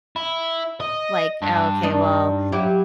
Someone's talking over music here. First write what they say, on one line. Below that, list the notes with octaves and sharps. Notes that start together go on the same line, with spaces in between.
like, oh, okay, well,
E4
D#5
G2
D4 D#4
F#3 E4 G4